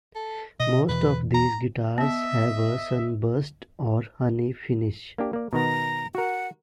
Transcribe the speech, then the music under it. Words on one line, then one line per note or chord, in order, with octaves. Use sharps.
Most of these guitars have a sunburst or honey finish.
A4
B2 D#5
E1 B2 E3 B4
A#5
B3 D#5 E5
A#3 D4 G4
A#3 D5
B2 D#3 B3 A#5
F#4 A#4 F#5